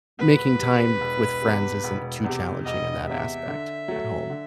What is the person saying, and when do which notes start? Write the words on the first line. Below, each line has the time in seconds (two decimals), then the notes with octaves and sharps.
making time with friends isn't too challenging in that aspect at home.
0.19 E1 B4
0.60 E2 C3
1.01 E1
1.42 E2 C3
1.84 E1
2.24 E2 C3
2.65 E1 D#5
3.07 E2 C3 E5
3.48 D3
3.88 F#3 A3
4.30 D3